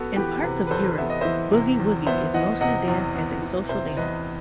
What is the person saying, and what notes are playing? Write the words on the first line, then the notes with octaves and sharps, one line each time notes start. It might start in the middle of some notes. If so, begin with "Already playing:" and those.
In parts of Europe, boogie-woogie is mostly danced as a social dance.
Already playing: B3 F#4 A4
E3 G4 B4
C3 G4 B4
B4
E2 A4 C5
B3 E5
D#5
E3 C5 E5
C3
E2
B3 C5 E5
E3 D#5 F#5
C3 D#5 F#5
E2
B3
E3
C3 C5 E5
E2 B4 D#5